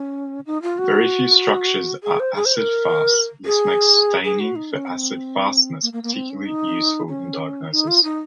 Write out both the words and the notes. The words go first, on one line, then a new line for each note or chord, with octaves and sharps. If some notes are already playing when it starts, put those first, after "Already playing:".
Very few structures are acid-fast; this makes staining for acid-fastness particularly useful in diagnosis.
Already playing: C#4
D#4
F4
F#4
G#4
C5
G#4
C5
A#4
G#4
G#4
F#4
D#4
C#4
C4
A#3
A#3
A#3
C4
C#4
D#4
C#4
D#4
F4
D#4